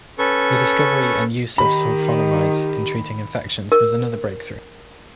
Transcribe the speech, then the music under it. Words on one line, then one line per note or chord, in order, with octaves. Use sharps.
The discovery and use of sulfonamides in treating infections was another breakthrough.
C#4 A4 B4 C#6
D#3 G4 B5
A#4